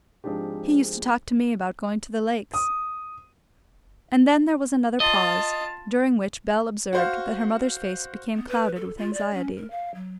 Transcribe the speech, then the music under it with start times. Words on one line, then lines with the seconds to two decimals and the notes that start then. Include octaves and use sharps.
"He used to talk to me about going to the lakes." And then there was another pause, during which Bell observed that her mother's face became clouded with anxiety.
0.24 G#2 F3 G#3 C4 D4 G4
2.54 D#6
5.00 F4 D#5 A5
6.93 F#4 C5 F5
8.35 B3
8.49 B4
8.76 A4
8.98 F4
9.13 D5
9.34 C#4
9.57 A#4
9.71 F5
9.95 F#3